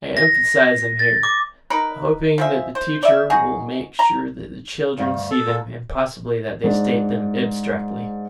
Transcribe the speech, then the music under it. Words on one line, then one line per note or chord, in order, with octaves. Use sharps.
I emphasize them here, hoping that the teacher will make sure that the children see them, and possibly that they state them abstractly.
A#6
A6
D6
D#4 A#4 B4
F3 G#3 E5
C5
D5 E5
D#4 F#4 G#4
A#5
D2 G2 F5
A4
A#2
G#2 D4